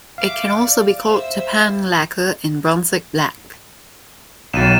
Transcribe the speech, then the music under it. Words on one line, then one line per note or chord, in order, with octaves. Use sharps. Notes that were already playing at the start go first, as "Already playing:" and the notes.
It can also be called japan lacquer and Brunswick black.
E5 F5 C#6 D6
D5
C5 E5 E6
B1 F#3 A6 D#7 E7